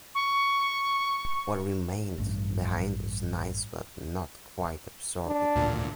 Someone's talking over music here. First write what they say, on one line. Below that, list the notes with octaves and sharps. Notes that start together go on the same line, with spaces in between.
What remained behind is nice but not quite absorbing.
C#6
A1 G2
D4
D2 A#2